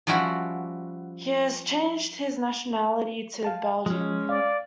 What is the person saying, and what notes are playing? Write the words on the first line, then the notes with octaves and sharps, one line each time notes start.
He has changed his nationality to Belgian.
F3 G3 C#4 E4 F#4
F5 A5
F3 G#3 C#4
D5 F5